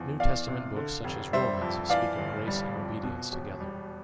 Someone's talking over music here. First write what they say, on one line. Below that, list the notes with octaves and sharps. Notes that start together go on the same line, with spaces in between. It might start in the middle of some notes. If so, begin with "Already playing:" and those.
New Testament books such as Romans, speak of grace and obedience together.
Already playing: E2 F3
E2 D5 F5
C3
D3
F1
G3 C5 E5
F2
E3 D5 F5
G1
G3
F2
B2
E1
G3